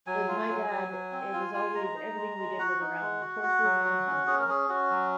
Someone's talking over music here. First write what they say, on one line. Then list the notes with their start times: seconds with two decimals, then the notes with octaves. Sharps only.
With my dad, it was always everything we did was around horses and hunting,
0.07 F#3 G#5
0.28 F4
0.49 F#3
0.70 F#3
0.91 F#3
1.11 C4
1.33 F4
1.54 F4
1.75 G#3 A#5
1.96 D#4
2.17 G#3
2.38 G#3
2.59 F#4 F#5
2.80 D#4
3.01 G#3
3.22 F#4
3.43 F#4
3.64 F#3
3.85 F#4
4.07 C#4
4.27 C#4 G#4
4.39 A#4
4.48 C#4 G#4
4.69 C#4 F#4
4.90 F#3